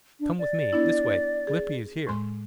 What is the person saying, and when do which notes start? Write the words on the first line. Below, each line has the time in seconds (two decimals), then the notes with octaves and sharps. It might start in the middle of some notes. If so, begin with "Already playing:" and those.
"Come with me--this way--Lippy is here!"
0.20 D4
0.39 D5
0.73 B3 D4 E4
1.47 G#4
2.07 A2 G#3 C6